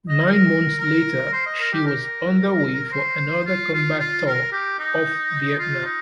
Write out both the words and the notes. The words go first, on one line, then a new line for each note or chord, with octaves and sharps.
Nine months later, she was underway for another combat tour off Vietnam.
D#5
A#4
A#4
C5
D#5
A#4
G4
A#4
C5
F4
F4
F4
A#4
G4
D#4
F4
D#4